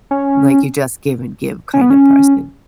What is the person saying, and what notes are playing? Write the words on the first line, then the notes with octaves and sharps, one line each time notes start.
Like, you just give and give kinda person.
C#4
C#4
B3
C#4